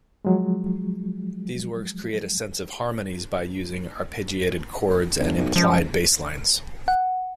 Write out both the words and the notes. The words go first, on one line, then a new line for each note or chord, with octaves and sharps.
These works create a sense of harmonies by using arpeggiated chords and implied basslines.
F3 F#3 G#3
G1
B1
C#2 F3
F#5